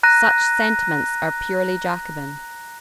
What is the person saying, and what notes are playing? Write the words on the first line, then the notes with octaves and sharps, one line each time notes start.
Such sentiments are purely Jacobin.
A#5 F#6 A#6 D#7